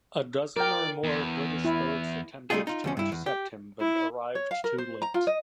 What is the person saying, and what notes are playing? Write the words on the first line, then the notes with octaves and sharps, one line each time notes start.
A dozen or more British boats attempted to intercept him but arrived too late.
A#4 D5 G5
E2
E4
G3 A3 D4 D#4 F4 G#4
D#4 F4
D2 F3 C#4
G2 E4
E2
G4
E4
C#5
F5
A#4
C5
A#5
F4
D#5